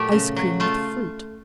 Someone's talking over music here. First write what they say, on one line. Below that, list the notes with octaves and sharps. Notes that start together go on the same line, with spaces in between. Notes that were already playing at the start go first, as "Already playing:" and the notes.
Ice Cream with Fruit.
Already playing: A#2 F#3 A3 G4
C#3
F#3
A3 F4